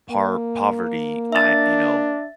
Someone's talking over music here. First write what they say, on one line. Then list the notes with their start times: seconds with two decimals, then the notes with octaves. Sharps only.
par poverty, I you know,
0.11 A#3
1.32 D4 E5 A6